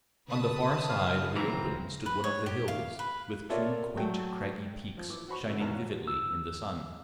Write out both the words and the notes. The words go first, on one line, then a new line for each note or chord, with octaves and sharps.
On the far side of the open stood one of the hills, with two quaint, craggy peaks shining vividly in the sun.
C#3 B4 A5 D#6
F5
D#2 C#3 E3 F#3 C4 A#5
B4
C#5
G4
F5
B4
A#3 F4 A4 C#5 D5 E5
F#3 A3 G5
F3
E3 D6
F#4 C5 B5 C#6
D3 E3
E2 B2 D#3 A#5
C#4 F5 F#5
E6